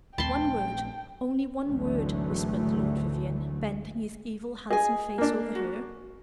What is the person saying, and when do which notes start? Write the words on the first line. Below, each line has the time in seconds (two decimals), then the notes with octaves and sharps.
"One word--only one word," whispered Lord Vivianne, bending his evil, handsome face over her.
0.18 A#1 D#2 A3 C4 G5 A5 B5 C6
1.67 G#1 D2 D3 E3 F#3 A3
4.70 G#4 D#5 G#5
5.18 A#3 D4
5.55 F#4